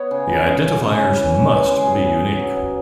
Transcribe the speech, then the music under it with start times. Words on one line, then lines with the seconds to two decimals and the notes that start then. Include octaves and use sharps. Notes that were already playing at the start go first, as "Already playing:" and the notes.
The identifiers must be unique.
Already playing: B3 C#5
0.11 C#3
0.29 B3
0.46 C#4
0.63 C#4
0.81 C#3
0.99 C#3
1.17 E3 B4
1.34 E3 C#5
1.51 E3 B4
1.68 G#3 G#4
1.86 F#3 G#4
2.04 E4
2.21 F#3
2.39 F#3
2.56 F#3